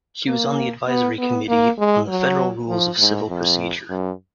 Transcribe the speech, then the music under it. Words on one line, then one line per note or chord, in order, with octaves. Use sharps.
She was on the Advisory Committee on the Federal Rules of Civil Procedure.
A#3
B3
B3
A#3
G#3
F#3
F3
G#2
F2
F#2